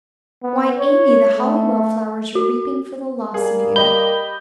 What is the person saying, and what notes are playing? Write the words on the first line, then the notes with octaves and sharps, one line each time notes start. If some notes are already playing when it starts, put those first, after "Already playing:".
'Why, Amy, the Hollywell flowers are weeping for the loss of you!
B3
C#5
A3
F#4
G3 A#3 G#4
G4 D#5 B5 G6